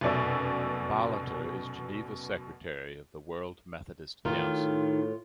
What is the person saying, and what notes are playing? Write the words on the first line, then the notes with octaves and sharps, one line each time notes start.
Bolleter is Geneva secretary of the World Methodist Council.
F1 F#2 B2 D5 E5
A2 D#3 F4